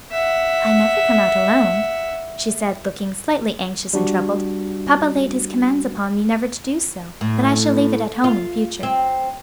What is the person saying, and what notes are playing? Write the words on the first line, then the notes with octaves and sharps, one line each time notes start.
"I never come out alone," she said, looking slightly anxious and troubled; "papa laid his commands upon me never to do so; but I shall leave it at home in future."
E5 F#5
G3 D4 F#4
A2
F4
C4